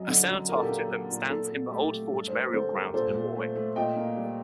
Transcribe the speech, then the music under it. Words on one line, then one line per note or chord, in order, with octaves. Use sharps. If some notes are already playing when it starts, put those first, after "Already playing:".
A cenotaph to him stands in the Old Forge Burial Ground in Warwick.
Already playing: F#2 F#3 D#5
D3
F#2
A#2 A#4
A4
G4 A#4
A#3
F#3
A#2
A#2 A4
A#2
A3 G4
A3
G2 A4
C5
A3 G4 A#4
D3 A4 C5
G2 G4 A#4
A#2 A4 C5
A#2
A3
A3
A#2 D#5 G5
A#3
G3